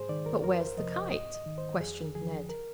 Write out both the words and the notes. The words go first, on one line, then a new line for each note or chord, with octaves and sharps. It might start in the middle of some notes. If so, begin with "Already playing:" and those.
"But where's the kite?" questioned Ned.
Already playing: G#2 G#4 C5
D#3 D5
A#4
F2 A#4
C5
C3 F3 D#5
D#5
G#2 D#5
D#5
D#3
C5
F2 G#4
D3 F3 G#4
A#4